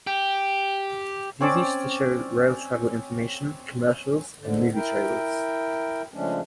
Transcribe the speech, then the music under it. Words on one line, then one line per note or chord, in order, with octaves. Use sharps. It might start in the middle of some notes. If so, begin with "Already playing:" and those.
These used to show rail travel information, commercials and movie trailers.
G4
C4 C#4 D5 D6
G#2 D3
E4 A#4 G5
C#3 F3 G#3 A3 C#4 D4